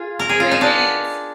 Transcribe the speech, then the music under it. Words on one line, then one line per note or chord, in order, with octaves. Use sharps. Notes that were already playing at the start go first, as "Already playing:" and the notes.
"doing it?"
Already playing: F4 G#4
A#4
G#4
F4
D#4
D4